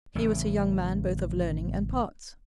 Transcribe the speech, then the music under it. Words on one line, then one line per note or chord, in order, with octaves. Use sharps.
He was a young man both of learning and parts.
A1 C#3